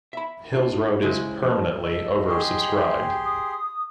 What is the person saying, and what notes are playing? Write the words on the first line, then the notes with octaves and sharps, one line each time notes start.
Hills Road is permanently over-subscribed.
E5 B5
D4 F4
C#3 G#3 E4 C5
F3
A4 D#5
G4 G#4 C6
G5
D#6